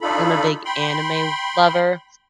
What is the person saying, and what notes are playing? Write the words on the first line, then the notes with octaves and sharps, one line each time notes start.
'cause I'm a big anime lover,
D4 D#4 F4 A4 B5
G5 B5 C6